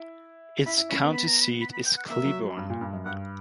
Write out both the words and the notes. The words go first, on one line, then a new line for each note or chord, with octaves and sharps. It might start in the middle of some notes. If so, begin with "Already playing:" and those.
Its county seat is Cleburne.
Already playing: E4
E4 B5
E4
C#4 B5
B3
B5
A#5
B5
B5
B5
G5
F#5
A#3 E5
F#3
F#3
G2
A#2
G2
F#2
G2 F#5